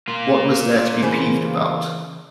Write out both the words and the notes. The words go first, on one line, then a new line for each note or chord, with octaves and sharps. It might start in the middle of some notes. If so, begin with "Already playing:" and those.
What was there to be peeved about?
A#3 F4
C#3 E3 C5